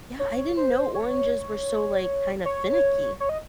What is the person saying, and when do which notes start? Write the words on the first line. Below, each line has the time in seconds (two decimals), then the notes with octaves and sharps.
Yeah, I didn't know oranges were so, like, kinda finicky.
0.19 C#5
0.57 C5
0.94 C#5
2.45 C#5
3.20 C#5
3.29 D#5